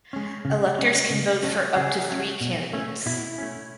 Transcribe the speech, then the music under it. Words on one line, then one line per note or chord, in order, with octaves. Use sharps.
Electors can vote for up to three candidates.
G#3 C#4
C#3
G#3 C#4
C#3
F#3 A3 C#4
C#3 G#4
F#3 A3 C#4
B2
A3 C#4
B2 E4
A3 C#4